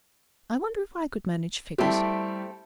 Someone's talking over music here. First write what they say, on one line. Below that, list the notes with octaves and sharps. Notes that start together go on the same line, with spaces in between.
I wonder if I could manage figures.
G3 A3 C4 E4 G4